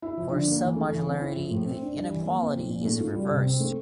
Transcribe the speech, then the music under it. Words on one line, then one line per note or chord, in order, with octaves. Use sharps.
For submodularity, the inequality is reversed.
E4
F3
D3
A#3
E3
A3
E3
C4
E4
F3
A2
C4
D4
G3
E3
A#3
C4
F3
A#2
A3
F4
G3
C3
C4
A3